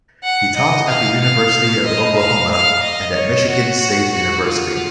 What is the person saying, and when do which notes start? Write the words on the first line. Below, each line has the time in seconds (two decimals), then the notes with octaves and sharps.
He taught at the University of Oklahoma and at Michigan State University.
0.23 F#5
0.56 D#5
0.88 F5
1.21 F5
1.86 D#5
2.18 F5
2.51 F5
2.83 D#5
3.15 C#5
3.48 F#4
4.12 F#4
4.45 F4